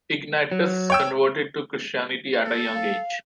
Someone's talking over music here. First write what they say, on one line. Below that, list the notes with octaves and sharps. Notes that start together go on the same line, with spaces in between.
Ignatius converted to Christianity at a young age.
F#3
C#5 G5 E6
A4
F5